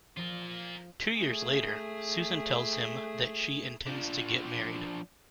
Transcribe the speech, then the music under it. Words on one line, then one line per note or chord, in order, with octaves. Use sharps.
Two years later, Susan tells him that she intends to get married.
F3 F4 A#4
A3 G#4
F3 D4